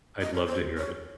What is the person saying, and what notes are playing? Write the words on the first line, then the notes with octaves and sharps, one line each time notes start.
I'd love to hear it.
D#5
C#5
C5
C#5